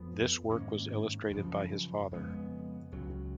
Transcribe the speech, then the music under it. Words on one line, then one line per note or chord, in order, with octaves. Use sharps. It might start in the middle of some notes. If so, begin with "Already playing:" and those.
This work was illustrated by his father.
Already playing: F2 F3 B3
G#2 D#3 A#3 C#4
F#2 C#3 F3
F2 C#3 G#3 B3
C#2 C#3 F#3